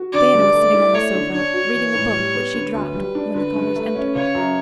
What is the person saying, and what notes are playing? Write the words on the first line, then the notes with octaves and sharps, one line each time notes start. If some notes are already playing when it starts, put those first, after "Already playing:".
Diana was sitting on the sofa, reading a book which she dropped when the callers entered.
Already playing: F#4
D3 D5
G2
A3
E4
A3 C#5
D3
D4 C#5
F#4
E3
A2
G3
B3
D3 B4
D2
G3
D4
D3 B4
G2
A3
C#4
C#3 C#5
F#2